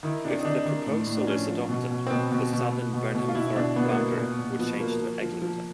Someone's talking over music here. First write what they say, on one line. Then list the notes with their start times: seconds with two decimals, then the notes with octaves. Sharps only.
If the proposal is adopted, the southern Burnhamthorpe boundary would change to Eglinton.
0.03 D#3 E4
0.25 C3 D4
0.41 D#4
0.45 D#3 D4
0.66 D#3
0.86 A2
1.07 A2
1.17 D4
1.27 F3 C#4
1.49 F3
1.69 B2
1.91 B2
2.07 C4
2.10 B2 B3
2.32 B2
2.53 B2
2.72 B2
2.93 B2
3.15 B2
3.29 F4
3.35 B2 E4
3.46 E4
3.56 B2 D4
3.76 B2 B3
3.85 A#3
3.91 B3
3.97 B2
4.17 A#2
4.39 A#2
4.59 F3 B3
4.80 F3 A#3
5.01 F3
5.21 F3
5.42 F3